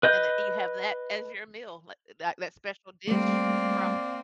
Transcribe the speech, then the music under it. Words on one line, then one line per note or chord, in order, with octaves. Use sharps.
and then you have that as your meal li eh, that that special dish from
B4 D#5 G6
G3 A3 A#3 C4 D5 F5